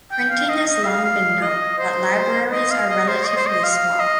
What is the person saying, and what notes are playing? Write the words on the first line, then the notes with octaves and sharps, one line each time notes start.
Printing has been long known but libraries are relatively small.
G5
F5
D#5
D#5
F5
F5
D#5
C5
D#5
F5
D#5
C5
D#5
C5
D#5
F5
D#5